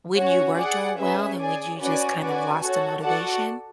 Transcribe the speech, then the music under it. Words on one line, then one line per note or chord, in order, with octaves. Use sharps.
when you were doing well and when you just kind of lost the motivation?
C#4 F#4 C#5
G#4 D5 F#5
C#4 G#4 B4 E5
G#4 D5 G#5
C#4 F#4 B4 D5 G#5
F#4 B4 D5 G#5
F#4 A4 C#5
F#4 A4 D5 F#5 A5